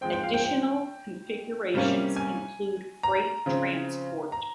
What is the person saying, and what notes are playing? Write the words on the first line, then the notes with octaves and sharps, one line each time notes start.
Additional configurations include freight transport.
F3 G#3 C4 G5
G5
F5
G5
G5
C3 G3 A#3 C#4
G#5
A#5
C#3 F3 C4
A#5